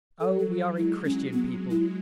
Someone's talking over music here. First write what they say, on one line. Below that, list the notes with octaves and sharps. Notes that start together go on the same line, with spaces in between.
Oh! we are a Christian people!
F#3 A4
A4
G#3 E4
C#4
B3
E4